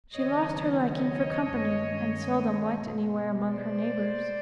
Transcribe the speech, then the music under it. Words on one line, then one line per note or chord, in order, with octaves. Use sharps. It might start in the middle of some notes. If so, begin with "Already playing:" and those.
She lost her liking for company, and seldom went anywhere among her neighbours.
D#2 C#3 F#3 B3 C#5 D#5
C#5 D#5
G2 D#3 G#3 C#4
B2 G#3 B3
C5 D5